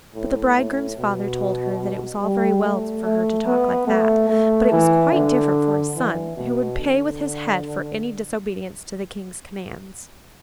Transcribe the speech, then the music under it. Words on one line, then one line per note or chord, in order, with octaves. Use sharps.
But the bridegroom's father told her that it was all very well for her to talk like that, but it was quite different for his son, who would pay with his head for any disobedience to the king's commands.
A2
A2
B2
G3
A3
A3
B3
A3
A3
E3
D3
E3
B2
D3